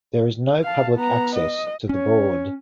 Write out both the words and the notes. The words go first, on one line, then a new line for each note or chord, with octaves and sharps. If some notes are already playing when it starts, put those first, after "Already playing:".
There is no public access to the Broad.
F5 A5
B3 A#5
D#5
C#4 C#5